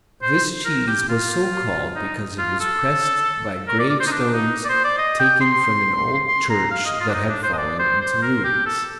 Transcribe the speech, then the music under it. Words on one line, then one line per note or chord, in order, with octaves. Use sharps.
This cheese was so called because it was pressed by gravestones taken from an old church that had fallen into ruins.
C5
A#4
G4
F4
D#4
F4
A4
A#4
D5
D5
C5
D#4
D4
D#4
D5
C5
D5
D#5
G5
C6
C6
A#5
F5
D#5
F4
D4
D#4
D4
C5
D#5
D5
C5
C5
A#4
G4
A4